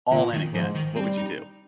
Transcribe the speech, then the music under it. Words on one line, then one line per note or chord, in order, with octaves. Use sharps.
all in again? What would you do?
A#2 D3
D#3
G#2 F3
D#3
G3 C4
D#4